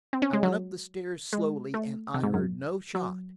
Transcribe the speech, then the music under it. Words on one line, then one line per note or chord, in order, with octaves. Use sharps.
I went up the stairs, slowly, and I heard no shot.
C4
C#4
G#3
F#3
G#3
A3
C3
G#2
F#2
F#3